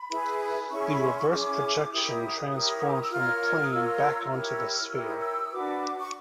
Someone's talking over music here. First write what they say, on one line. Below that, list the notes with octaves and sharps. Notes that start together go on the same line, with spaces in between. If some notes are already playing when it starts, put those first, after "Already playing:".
The reverse projection transforms from the plane back onto the sphere.
Already playing: B5
E4 G#4 B4
C#4 E4 G#4 C#6
B5
C6
C#6
C#4 E4 G#4 D6
E4 G4 A#4 C#5 D#6
E4 G4 A#4 C#5
C#6
D6
D#6
E6
F4 A#4 C#5 F6
D#6
F4 A#4 C#5 E6
E4 G4 A#4 C#5 F6
E6
F6
E4 G4 A#4 C#5 E6
D#6
E6
D#6
D4 F#4 B4 D6
C#6